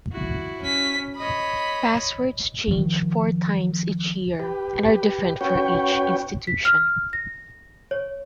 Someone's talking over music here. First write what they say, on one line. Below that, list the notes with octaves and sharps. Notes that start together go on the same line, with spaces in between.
Passwords change four times each year and are different for each institution.
E4 F#4
C#4 B6
C#5 D#5 B5
D#3 F3
G4 B4
C#4 F#4 B4 C#5 G5
B6
F6
A#6
C#5